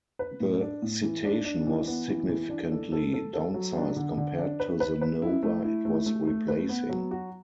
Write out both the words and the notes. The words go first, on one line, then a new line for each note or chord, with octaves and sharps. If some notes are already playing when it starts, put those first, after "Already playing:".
The Citation was significantly downsized compared to the Nova it was replacing.
B4
A2
D4
A2
E3
D4
D4
E3
B3
E3
E3
D4
A4
A4
A4
A4
F#3
D4
D3
D3
D4
B4
B4
B4
E4
A3
E4
A3
A3
A3
B4
B3
F#3
F#4